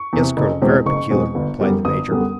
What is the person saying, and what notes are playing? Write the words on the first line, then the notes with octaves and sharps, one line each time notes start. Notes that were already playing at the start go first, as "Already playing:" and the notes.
"Yes, colonel; very peculiar," replied the major.
Already playing: C#6
E2 C3
F#1
E2 B2 G#3 C4
F#1 C#6
E2 B2 G#3 C4
G1
F#2 D3 G3 B3
G1 D#6
F#2 D3 G3 B3